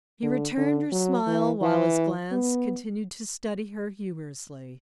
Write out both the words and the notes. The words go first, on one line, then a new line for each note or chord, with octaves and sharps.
He returned her smile while his glance continued to study her humorously.
D3
D3
F#3
E3
E3
B3